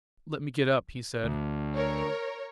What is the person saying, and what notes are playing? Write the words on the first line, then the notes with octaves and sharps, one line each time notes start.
"Let me get up," he said.
D2
A#4 C#5